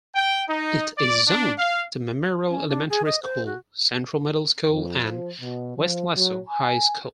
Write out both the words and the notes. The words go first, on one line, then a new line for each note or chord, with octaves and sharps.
It is zoned to Memorial Elementary School, Central Middle School, and Weslaco High School.
G5
D#4
D5
D4
F5
C#4
D4
G#4
D#5
C5
F#4
F2
F3
B2
F3
F#3
G#5